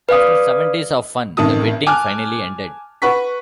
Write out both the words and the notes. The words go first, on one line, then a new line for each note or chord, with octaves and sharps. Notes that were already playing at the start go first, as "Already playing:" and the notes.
After seven days of fun, the wedding finally ended.
B4 D5 F5 D#6
A1 C3 D#3 A5 D#6
G#5 A5 D6 F6 F#6
B4 F#5 C#6 B6